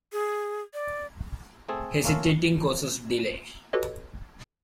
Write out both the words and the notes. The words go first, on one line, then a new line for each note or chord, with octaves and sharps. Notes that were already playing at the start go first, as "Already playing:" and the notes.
Hesitating causes delay.
G#4
D5
A3 C4 G#4 A4
A3 A#3 C#4 F4 A4 A#4
F#4 G4 A4 B4 C#5 D#5